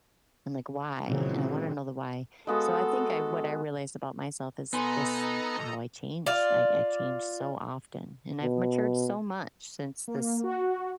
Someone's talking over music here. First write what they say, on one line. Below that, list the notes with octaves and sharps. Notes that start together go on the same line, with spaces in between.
I'm like, "Why?" And I wanna know the why. So I think I what I realized about myself is just how I change. I I change so often, and I've matured so much since this
A#2 C#3 E3 F#3 G#3 C4
G#3 B3 F#4 A4
B2 B3 D#4 A4 D#5 G#5 A#5 C6
F4 D5
B2
A#3
F#4